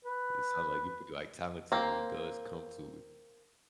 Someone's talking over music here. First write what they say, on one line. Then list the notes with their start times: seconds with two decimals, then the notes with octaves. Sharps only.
it sounds like you feel, like, talented when it does come to it.
0.05 B4
1.72 A#3 C4